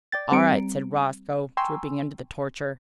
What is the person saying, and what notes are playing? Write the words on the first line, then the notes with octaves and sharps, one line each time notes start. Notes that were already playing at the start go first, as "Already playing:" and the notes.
"All right," said Roscoe, drooping under the torture.
D5 G5 A6
G3 C4 A#5 C#7 D7
G5 G#5 A#5 C6 C#6 E6